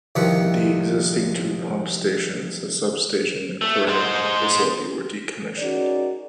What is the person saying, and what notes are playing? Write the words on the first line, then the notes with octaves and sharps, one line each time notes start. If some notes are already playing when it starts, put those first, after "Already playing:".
The existing two pump stations, a substation and chlorination facility were decommissioned.
C2 C3 D#3 F3 B4 F#5
A3
G#3 C5
C#4 D#4 F#4 G#4 A#4 D5